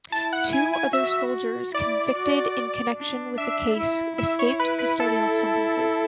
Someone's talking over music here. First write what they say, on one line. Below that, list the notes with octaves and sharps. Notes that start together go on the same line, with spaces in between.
Two other soldiers convicted in connection with the case escaped custodial sentences.
E4 A5
F#5
G#5
G#5
F#4 E5
E4 D5
F#4
D4
D4 E5
E4
E4 E5
C#5
B4
B4
A4